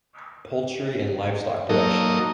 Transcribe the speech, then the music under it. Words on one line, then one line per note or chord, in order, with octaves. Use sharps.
Poultry and Livestock Production.
F#3 A#3 D#4 A4 D#5